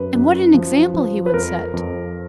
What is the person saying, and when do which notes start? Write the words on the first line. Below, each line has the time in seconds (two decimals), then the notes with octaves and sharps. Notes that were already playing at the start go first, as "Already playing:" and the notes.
And what an example he would set!
Already playing: F#2 B4
0.15 F#2
0.54 F3
0.94 F3
1.26 B4
1.34 F2 A#4
1.73 F2